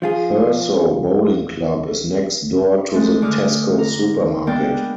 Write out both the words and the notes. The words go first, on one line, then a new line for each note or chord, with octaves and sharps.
Thurso Bowling Club is next door to the Tesco supermarket.
F3 F4 G#4
G#3 A3
D3 D6 D#6 F6
A#5
G#3 A#3 B3 D4 D5 G5